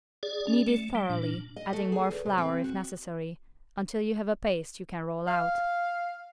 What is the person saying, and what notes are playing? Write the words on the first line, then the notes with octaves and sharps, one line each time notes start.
Knead it thoroughly, adding more flour if necessary, until you have a paste you can roll out.
G#4 D5
C#4 D5
A3
G3
A#2 D4
D#5
A3
G#4
E2
C3
C4
F#4
F5